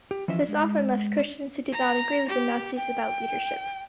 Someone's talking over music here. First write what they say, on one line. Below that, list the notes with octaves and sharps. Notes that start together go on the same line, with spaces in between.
This often left Christians who did not agree with the Nazis without leadership.
G4
E3 F3 C#4 D#5 E5
G#3
A#5
G4
G5